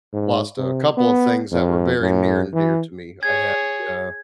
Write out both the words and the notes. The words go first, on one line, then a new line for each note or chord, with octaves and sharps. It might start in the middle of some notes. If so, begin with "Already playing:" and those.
lost a couple of things that were very near and dear to me, I had, uh
G#2
C3
B3
F2
F#2
E3
G#4 C#5 G#6